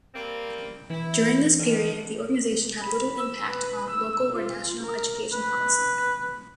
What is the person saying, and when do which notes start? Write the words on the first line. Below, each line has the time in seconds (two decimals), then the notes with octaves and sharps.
During this period, the organization had little impact on local or national education policy.
0.15 G3 A#3 C4
0.90 E3 E4
1.59 D3 D#3
2.81 B5
3.18 E6
3.51 B4
3.90 E6
4.33 F4
4.83 A#4
5.33 B4